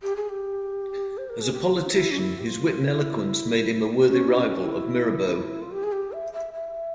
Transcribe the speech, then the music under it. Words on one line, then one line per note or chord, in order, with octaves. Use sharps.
As a politician, his wit and eloquence made him a worthy rival of Mirabeau.
G4
G#4
G4
C5
A#4
G#4
G4
F4
C#4
E4
C#4
E4
G4
F4
E4
C#4
E4
C#4
E4
F4
G4
G#4
G4
E5
E5
E5